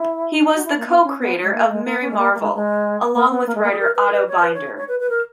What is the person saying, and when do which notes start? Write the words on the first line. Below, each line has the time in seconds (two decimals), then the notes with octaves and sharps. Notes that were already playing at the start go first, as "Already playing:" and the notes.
He was the co-creator of Mary Marvel, along with writer Otto Binder.
Already playing: E4
0.54 F#4
0.65 E4
0.77 A#3
0.87 B3
1.03 C#4
1.20 B3
1.42 G#3
1.53 A#3
1.68 G#3
1.84 A#3
2.01 C#4
2.11 G#3
2.17 A#3
2.34 A#3
2.40 G#3
2.54 G#3
3.14 A#3
3.31 B3
3.47 A#3
3.55 G#3
3.64 A#3
3.71 G#4
3.80 A#4
3.96 B4
4.08 A#4
4.12 B4
4.28 C#5
4.41 B4
4.54 C#5
4.77 C#5
4.88 B4
4.99 B4
5.09 A#4